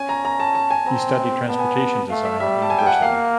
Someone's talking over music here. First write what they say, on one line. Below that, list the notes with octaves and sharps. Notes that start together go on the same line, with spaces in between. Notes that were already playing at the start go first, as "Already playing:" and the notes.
He studied Transportation Design at university.
Already playing: C#4 G#5
A#5
A#5
A5
A5
G#5
C4 A#5
B3 A5
G#5
A5
A3 F5
E5
G3 E5
A5
G#5
G5
F#5
A#3 F5